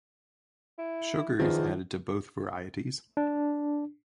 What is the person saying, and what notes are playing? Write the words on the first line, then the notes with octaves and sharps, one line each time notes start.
Sugar is added to both varieties.
E4
E2 D#3 F3
D4